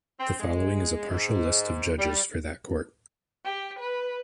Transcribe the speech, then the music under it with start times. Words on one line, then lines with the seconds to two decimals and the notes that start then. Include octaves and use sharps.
The following is a partial list of Judges for that court.
0.19 C4
0.39 G#3
1.09 G#2
1.98 G3
3.44 G4
3.79 B4